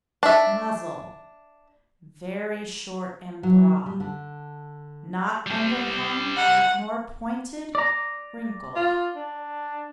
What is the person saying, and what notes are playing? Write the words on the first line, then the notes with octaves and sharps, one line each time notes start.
MUZZLE--Very short and broad; not underhung nor pointed; wrinkled.
D4 E5
F#3
G3
D3
G3 C4
F#5
D5 A#5
F4
D4